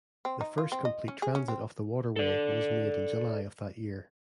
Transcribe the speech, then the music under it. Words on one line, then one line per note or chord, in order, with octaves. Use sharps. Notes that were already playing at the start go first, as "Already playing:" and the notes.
The first complete transit of the waterway was made in July of that year.
C4
D#4
F4
C4
D#5
C#4
G#4
C#4
C4
A4 D5